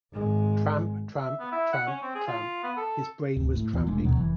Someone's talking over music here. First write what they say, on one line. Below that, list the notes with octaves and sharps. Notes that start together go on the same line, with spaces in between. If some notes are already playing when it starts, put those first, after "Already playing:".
Tramp, tramp, tramp, tramp; his brain was tramping.
G#1 G#3
E5
B3
E4
F#5
C#4
C4
G#4
F4
B3
A4
D1
A2
E2
E1 G#3 A3 D4
D2 B2 F#3
F1 E3